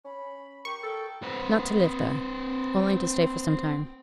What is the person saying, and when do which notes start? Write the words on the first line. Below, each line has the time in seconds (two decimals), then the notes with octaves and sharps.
'Not to live there: only to stay for some time.
0.05 C#4 B5
0.65 G4 A#4 C#6
0.83 A4 G5
1.22 C4 B4